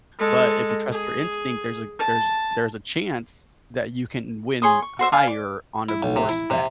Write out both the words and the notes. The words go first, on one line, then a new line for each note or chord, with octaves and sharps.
But if you trust your instinct, there's a there's there's a chance that you can win higher on a n worse bet,
G#3 A4
G#4
A5
G#4 C#5 C6 D#6
C#6
F#4 C5 E5
D5 F5 G#5
D6
E4
B1
C3
E4
C3